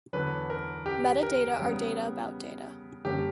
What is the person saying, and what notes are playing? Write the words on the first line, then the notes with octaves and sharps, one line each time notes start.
Metadata are data about data.
E2 D3 F#3 B4
A#4
G4
A#4
C#3 G3 B3
F#2 D3 G3 A#3 C#4 G4